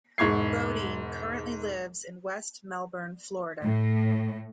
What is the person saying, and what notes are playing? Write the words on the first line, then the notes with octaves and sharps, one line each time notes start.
Bodine currently lives in West Melbourne, Florida.
E1 G#2 C#6 G#6 C7
A2